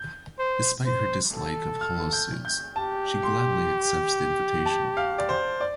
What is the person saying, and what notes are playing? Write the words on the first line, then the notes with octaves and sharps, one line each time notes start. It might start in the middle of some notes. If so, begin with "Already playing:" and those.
Despite her dislike of holosuites, she gladly accepts the invitation.
Already playing: G6
C5
C5
A4
F6
G6
G6
G4 A5
C6
A5
F5
D5
C5
D5